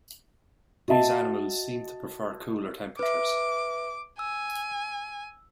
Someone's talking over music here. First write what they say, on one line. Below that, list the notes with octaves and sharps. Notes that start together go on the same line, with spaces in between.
These animals seem to prefer cooler temperatures.
F#4 D#5 E5 A5
B4 E5 D6
G#5 E6